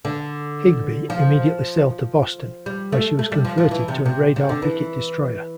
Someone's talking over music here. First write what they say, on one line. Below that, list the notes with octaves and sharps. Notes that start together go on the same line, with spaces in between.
"Higbee" immediately sailed to Boston, where she was converted to a radar picket destroyer.
D3
F3
G3
A3
A3
G3
F3
F3
E3
C3
C3
C3
D3
E3